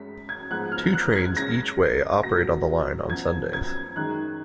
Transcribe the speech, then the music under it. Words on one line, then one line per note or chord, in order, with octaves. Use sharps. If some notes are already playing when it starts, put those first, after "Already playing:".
Two trains each way operate on the line on Sundays.
Already playing: F#2 G#3 C#4 B6
G#6
G#2 F3 B3 F#6
F6
F#6
G#6
F#2 C#3 G#3 C#4 A#6
B2 F#3 A#3 A#6
F#2 F3 B3 G#6
G#6
F#2 D#3 G#3 D#4 F#6